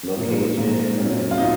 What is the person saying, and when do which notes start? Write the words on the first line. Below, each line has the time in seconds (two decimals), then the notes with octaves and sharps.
location and
0.17 A#2 F3 A#3
0.57 A#2 F3 A#3
0.97 A#2 F#3 C4
1.31 F4
1.38 A#2 F#3 C4 D#4